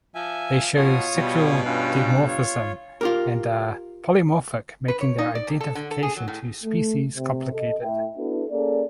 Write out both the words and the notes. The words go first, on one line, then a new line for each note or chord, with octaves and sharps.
They show sexual dimorphism and are polymorphic making their identification to species complicated.
F3 E5 G#5
B2 F4 C#5 D#6
B2 G3
G2 C#4 F4
F4 C#5
F4 G4 A#4
B4
C#5
D#4
D5
E2
A4
D3
A4
G#4
F#3
A2
A3
C3
A4 D#5
A2 E5 G5
B3 D4 E4 F#4 A4 B4
A#3 C#4 G#4 A4 D5